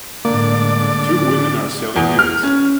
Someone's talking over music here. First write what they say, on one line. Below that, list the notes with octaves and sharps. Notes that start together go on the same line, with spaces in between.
Two women are selling goods.
A2 D3 G#3 A#3 D5 D6
E2
F6
C#4